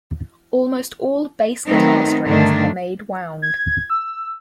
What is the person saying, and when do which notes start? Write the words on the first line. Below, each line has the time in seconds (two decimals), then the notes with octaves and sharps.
Almost all bass guitar strings are made wound.
1.67 D#3 F#3 A3 B3 C4 D#4
2.25 G2 D3 D#3 A3 D4
3.42 G#6
3.90 E6